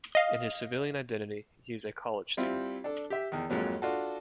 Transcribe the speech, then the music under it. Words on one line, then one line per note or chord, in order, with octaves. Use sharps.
In his civilian identity, he is a college student.
D#5 F5
G3 C4 E4 F4
D4 A4
G4 E5
E2 D#3
F2 G#2 F#3 A#3
D4 F4 F#4 A4